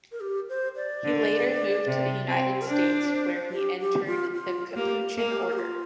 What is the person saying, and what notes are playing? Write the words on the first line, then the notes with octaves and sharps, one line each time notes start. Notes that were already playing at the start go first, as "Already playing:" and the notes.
He later moved to the United States where he entered the Capuchin Order.
A#4
G4
C5
D5
D3
C3
C4
G4
A#4
D4 C5
C5
G4
G4
F4
F4
A#4
A#3 G4
A#3 A#4
G4
A#4
G4
F4